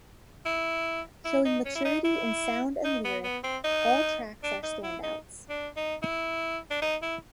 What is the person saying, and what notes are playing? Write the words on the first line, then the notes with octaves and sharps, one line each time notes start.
Showing maturity in sound and lyric, all tracks are standouts.
E4
E4
D#4
C#4
E4
D#4
E4
D#4
B3
B3
C4
D#4
D4
D#4
E4
D#4
D4
D#4
E4
D4
D#4
E4